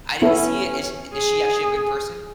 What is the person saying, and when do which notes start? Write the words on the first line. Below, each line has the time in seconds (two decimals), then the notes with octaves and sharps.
I didn't see it. Is is she actually a good person?
0.22 B3 C#4 E4 A4
1.13 G#4